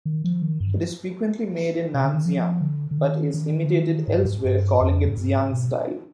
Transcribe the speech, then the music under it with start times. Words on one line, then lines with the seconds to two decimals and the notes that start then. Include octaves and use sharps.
It is frequently made in Nanxiang, but is imitated elsewhere, calling it Xiang-style.
0.05 D#3
0.24 F3
0.42 D#3
0.60 G2
1.94 C3
2.04 D3
2.14 D#3
2.26 F3
2.61 D3
2.91 D3
2.98 D#3
3.34 D#3
3.65 D3
3.71 D#3
4.08 G#2
4.16 G2
4.25 G#2
4.44 G2
4.81 F2
5.08 G#2
5.17 G2
5.35 G#2
5.53 B2